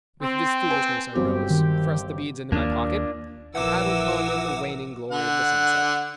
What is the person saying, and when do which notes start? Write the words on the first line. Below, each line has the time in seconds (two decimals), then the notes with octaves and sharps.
With this foolishness I rose, thrust the beads into my pocket, and paddled home in the waning glory of the sunset.
0.22 C4
0.70 B4 G#5
1.15 G1 F#3 C4 G4
1.50 D#3
2.52 D#2 A#3 D4 F4
3.55 A#1 E3 F3 A#4 F#5 D6 E6
5.11 D3 F#5